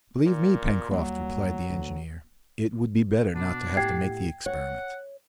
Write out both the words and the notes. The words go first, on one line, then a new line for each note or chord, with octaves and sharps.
"Believe me, Pencroft," replied the engineer, "it would be better not to have to make the experiment."
A#2
D#2 F#3 G3 A#3
D2
B2 D4
A2 G4 F#5 G5 G#6 C7
C#5 F#5